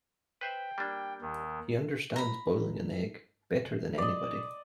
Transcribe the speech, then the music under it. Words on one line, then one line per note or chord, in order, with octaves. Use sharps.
He understands boiling an egg better than anybody.
B4 C5 E5 G5
G3 A#3 D4
D#2 D#3
A#5 B5
D5 D#5